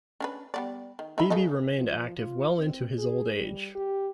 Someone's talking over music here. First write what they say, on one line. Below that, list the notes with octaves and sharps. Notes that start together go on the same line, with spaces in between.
Beebe remained active well into his old age.
C#4 D4 B4
G3 B3 D5
D#3
D#4 E5 B5
C#3 A4 D#5
F3
F4
C4
G#4
G3
G4